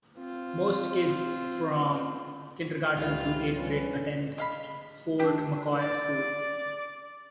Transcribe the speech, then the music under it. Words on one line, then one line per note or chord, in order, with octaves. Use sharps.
Most kids from kindergarten through eighth grade attend Fort McCoy School.
C4 F4
C#2 A2 E3 E4 F4 G4
G3 G#3 C#4 B4
G#3 F5 B5
D4 G4
D5